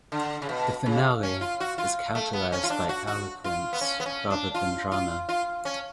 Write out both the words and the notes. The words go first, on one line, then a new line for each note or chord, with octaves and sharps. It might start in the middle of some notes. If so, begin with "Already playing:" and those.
The "Finale" is characterised by eloquence rather than drama.
D3
C#3
B2
C#3
C#4
F4
F#4
F4
A3
B3
C#4
F4
D4
F#4
F#4
F4
B3
C#4
B3
C#4
D4
F4
F4
F4
C#4